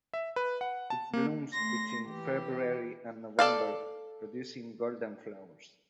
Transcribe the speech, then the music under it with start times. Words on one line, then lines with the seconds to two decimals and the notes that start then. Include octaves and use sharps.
It blooms between February and November producing golden flowers.
0.14 E5
0.36 B4
0.61 F#5
0.90 A5
1.13 A#3
1.53 A3 C6 A#6
2.06 E3 G4
3.39 A4 D5 F5